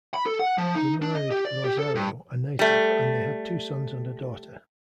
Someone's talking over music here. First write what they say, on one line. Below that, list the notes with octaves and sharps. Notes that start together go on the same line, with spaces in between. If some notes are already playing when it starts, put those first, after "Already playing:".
He married Rosario, a native, and they had two sons and a daughter.
B5
A4
F#5
F3
D#4
D4
D#5
G4
D5
G4
A4
G2
G3 A3